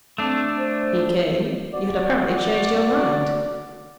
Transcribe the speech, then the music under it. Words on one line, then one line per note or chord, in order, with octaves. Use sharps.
'He came; you had apparently changed your mind.
A3 C4 D4
C5
F#4 D5